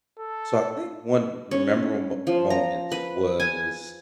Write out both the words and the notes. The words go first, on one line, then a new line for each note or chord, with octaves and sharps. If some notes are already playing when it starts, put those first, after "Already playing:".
so I think one memorable mo moment was
A4
C#4
F3
A#5
B4
G#5